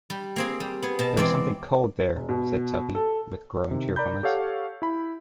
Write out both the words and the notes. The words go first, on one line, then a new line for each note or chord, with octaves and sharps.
"There is something cold there," said Tuppy, with growing cheerfulness.
G3
A#3 C4 G#4
G3
B3 G#4
B2 A5
E2 G#3 C4 D5
E1
B2
A4
C3 D#3
A#4 D5 A#5 B5 G6
G4 A4 C#5 F5 F#5
E4 B5